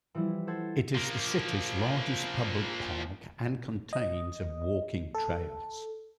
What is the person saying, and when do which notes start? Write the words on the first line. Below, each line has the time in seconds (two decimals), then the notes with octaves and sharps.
It is the city's largest public park and contains of walking trails.
0.15 E3 F3 G3 E4
0.47 A4 C5 F#5 G#6 A6
0.95 F3 A#3
3.93 D#5
5.14 A4